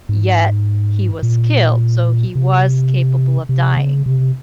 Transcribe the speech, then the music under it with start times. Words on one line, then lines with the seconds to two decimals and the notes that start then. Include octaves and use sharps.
yet he was killed, so he was capable of dying.
0.09 G#2
1.23 A#2
2.35 C3
3.49 C3
3.77 C#3
4.06 C3